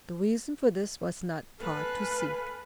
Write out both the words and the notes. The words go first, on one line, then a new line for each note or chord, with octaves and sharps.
The reason for this was not far to seek.
A4 B4 F5 G#5 F#6